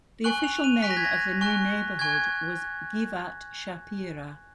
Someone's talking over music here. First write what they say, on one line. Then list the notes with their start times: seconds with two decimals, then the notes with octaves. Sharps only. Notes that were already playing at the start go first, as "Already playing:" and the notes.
The official name of the new neighborhood was "Giv'at Shapira".
0.24 G#5 C#6 F#6 F#7
0.44 F7
0.64 D#7
0.82 G#5 C#6 F#6 B6
0.90 A#6
0.97 G#6
1.05 A#6
1.41 G#5 C#6 F#6
1.99 G#5 C#6 F#6 G#6